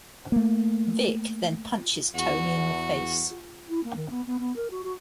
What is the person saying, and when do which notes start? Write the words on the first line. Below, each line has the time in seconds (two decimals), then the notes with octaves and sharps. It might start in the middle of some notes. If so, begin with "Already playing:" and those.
Vic then punches Tony in the face.
0.32 A3 A#3
2.15 E2 F#4
3.68 E4
3.84 A#3
3.96 D#3
4.10 B3
4.27 B3
4.39 B3
4.56 A#4
4.70 F#4
4.84 F#4